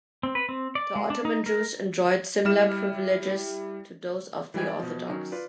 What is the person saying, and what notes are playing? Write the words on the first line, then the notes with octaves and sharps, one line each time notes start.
The Ottoman Jews enjoyed similar privileges to those of the Orthodox.
C4
B4
C4
D5
G#3
D4
D#4
A#4
G3 E4 F6 E7
E3 G3 G#3 G5 G#6
D5
B2 F3
D#3 F#3 C#4 A#4
F4 B4 D5